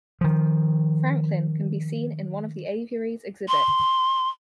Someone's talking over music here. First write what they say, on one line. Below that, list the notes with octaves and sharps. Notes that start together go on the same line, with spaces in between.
Franklin can be seen in one of the aviary's exhibits.
D#3 F3
C6